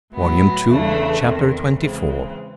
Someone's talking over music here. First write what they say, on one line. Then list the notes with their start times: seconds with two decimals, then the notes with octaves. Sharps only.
Volume Two, Chapter XXIV.
0.14 A2 F#3 B3
0.69 E2 C#3 E3 A3 D4
1.24 E2 C3 D#3
1.78 C#3 E3 G#3 C4